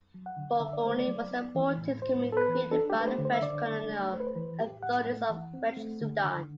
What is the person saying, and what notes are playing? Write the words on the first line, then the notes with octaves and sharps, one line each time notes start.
Bougouni was the fourteenth commune created by the French colonial authorities of French Sudan.
F#3
F#5
D3
D3 E5
D5
A3 C5
D5
F#3
B3
E3
A2
A2 C5
B3
A4
B4
E3
D4 A4
G4
A3
B4
C5
D3
C5
E5
D3 D5
D4
A3
A3 C5
B4
C5
E3 B4
A2 G4
A2 F#5
A3
E3
C4
A3
D3
D3